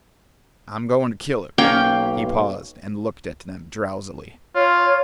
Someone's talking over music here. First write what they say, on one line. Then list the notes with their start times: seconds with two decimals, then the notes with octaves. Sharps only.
"I 'm goin' to kill her." He paused and looked at them drowsily.
1.58 B1 A#3 C#4 F5 G5
4.55 F4 C#5